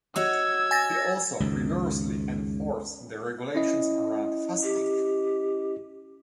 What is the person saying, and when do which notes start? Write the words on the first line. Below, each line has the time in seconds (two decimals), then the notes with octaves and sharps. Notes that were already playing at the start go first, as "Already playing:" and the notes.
He also rigorously enforced the regulations around fasting.
0.16 F#4 C#5 D#5 E6 G#6
0.71 G#5 A6 A#6
1.40 C#2 F#2 D#3
3.55 C#4 E4 D#5
4.63 G4